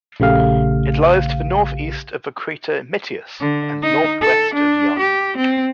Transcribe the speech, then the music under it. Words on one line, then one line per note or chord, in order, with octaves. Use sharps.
It lies to the northeast of the crater Metius, and northwest of Young.
A#1 C#3 A3 G4 F5
D3
D#4
A4
D4
G4
C4